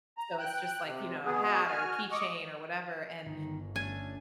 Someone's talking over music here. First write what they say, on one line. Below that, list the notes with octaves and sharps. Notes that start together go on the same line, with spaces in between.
So, it's just like, you know, a hat or a keychain or whatever, and
A#5
G5 F#6
C3
B2 B3 G#4
F#4 G#5 F6
D#5 C#6 D6
G1 D#3
A3 C#4 D4 G#5